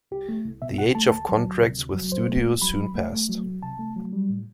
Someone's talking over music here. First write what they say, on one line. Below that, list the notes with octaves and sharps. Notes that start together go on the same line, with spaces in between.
The age of contracts with studios soon passed.
C2 G4
A3
C2
B2 E5
C2 F#5
A3 A5
D2 A5
F#3
D2
C3
D2
F#3
F#2 C5
A3
F#2
F#3 B5
F#2
A3
A3
F#3
C2
C3 A5
A3
F#3
G3
A2